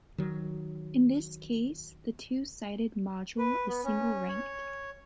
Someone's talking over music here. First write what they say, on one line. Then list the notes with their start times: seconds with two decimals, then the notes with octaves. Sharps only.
In this case, the two-sided module is single-ranked.
0.18 D#3 F#3
3.38 B4
3.69 B3
3.84 C#4
4.28 C#5